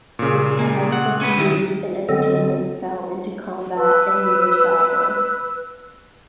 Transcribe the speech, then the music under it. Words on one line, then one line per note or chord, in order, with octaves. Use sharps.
It's as if news and entertainment fell into combat and neither side won.
A#2 C#3
A#3
F#5
C#4 B4
D#3 E4
D3 F#3 B3 C4 A4 D#5
B4 E6